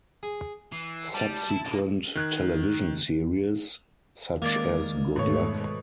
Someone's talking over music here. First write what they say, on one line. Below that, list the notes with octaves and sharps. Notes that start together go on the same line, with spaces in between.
Subsequent television series, such as Good Luck!!
G#4
E3 C7
G3 A5
E4
C3 A#3
D#3 F#6 G#6
D#3 G#3 A#3 D5
G#2 B2 A3 C#5